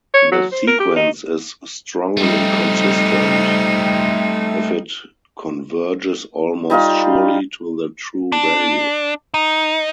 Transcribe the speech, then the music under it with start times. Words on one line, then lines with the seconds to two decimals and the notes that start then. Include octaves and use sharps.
The sequence is "strongly consistent", if it converges almost surely to the true value.
0.14 C#5
0.31 F#3
0.52 C5
0.67 A#4
0.80 G4
0.96 D#4
2.17 G3 A3 C4 D#4
6.70 G3 D#4 F4 F5
8.32 D4
9.34 D#4